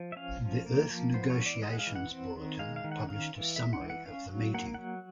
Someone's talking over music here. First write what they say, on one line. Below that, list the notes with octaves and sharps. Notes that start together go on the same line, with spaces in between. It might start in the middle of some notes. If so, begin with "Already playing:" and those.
The Earth Negotiations Bulletin published a summary of the meeting.
Already playing: F3
E5
C#4 F5
F3
A#3
F3
B3 C5
C#5
E3
D5
G#3 D#5
F#5
F5
E3
F#5
C4
D#3
G#3 F5
F5
D#3
F#5
C#4 F5
E3
G#3 E5
F#5
E3
F#5
C#4 F5
F#3
A#3 F#5
F#3 F#5